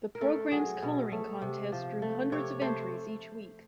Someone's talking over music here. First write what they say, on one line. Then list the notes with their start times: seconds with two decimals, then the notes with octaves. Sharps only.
The program's coloring contest drew hundreds of entries each week.
0.15 A#4
0.21 A3 A4
0.52 F#3 G#4
0.82 B2
1.12 A3
1.42 C3
1.72 F3
2.02 A3
2.32 C3 C#5
2.61 A3 C5